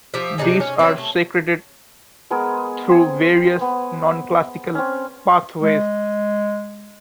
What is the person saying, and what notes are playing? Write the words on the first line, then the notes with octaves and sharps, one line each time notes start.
These are secreted through various nonclassical pathways.
F3 G4 E5
C3 D4 D#4 G#4
C#4
F#3 C4
A3
G#3 B3 G#4 A#4
C4 G#5
B3
C4 C#4
G#3